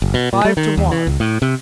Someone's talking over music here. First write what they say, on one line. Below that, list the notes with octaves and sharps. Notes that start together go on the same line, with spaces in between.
Five to one!
F#1
B2
A#2
G3
D#3
D#2
E3
C#2
A2
C3